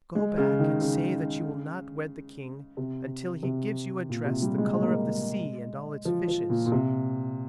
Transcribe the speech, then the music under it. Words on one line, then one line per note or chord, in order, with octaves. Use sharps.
"Go back and say that you will not wed the king until he gives you a dress the colour of the sea and all its fishes."
G#3
C#3
D#3
C#3
C3
C3
A#2
C3
G3
G#3
G#3
A#3
G#3
F3
F3
A#2
A#2
C3